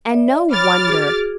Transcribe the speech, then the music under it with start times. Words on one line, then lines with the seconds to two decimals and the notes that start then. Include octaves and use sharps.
And no wonder!
0.11 D5 E5
0.51 C#5 B5 D6 F6 A6
0.87 F#4 G#4